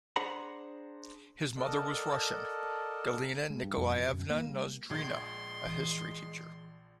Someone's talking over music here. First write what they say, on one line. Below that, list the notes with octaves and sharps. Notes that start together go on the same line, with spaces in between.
His mother was Russian, Galina Nikolaevna Nozdrina, a history teacher.
D4 G#4 C5 F#5 A#5 B5
A4 A#4 D5 D#5 F#5 A5
G#3
G2
F2
B2
F#2
A#3
G3
A#1 G#3 C6 G#6
E3